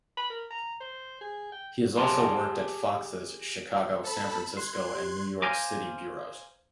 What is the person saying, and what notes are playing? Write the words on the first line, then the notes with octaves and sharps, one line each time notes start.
He has also worked at Fox's Chicago, San Francisco, and New York City bureaus.
B5
A#4
A#5
C5
G#4
G5
G4 G#4 A5 C6
A4 C5 A5 B5
C6 F#6 G#6 C7
G4
C5 F5 G#5 A#5 D6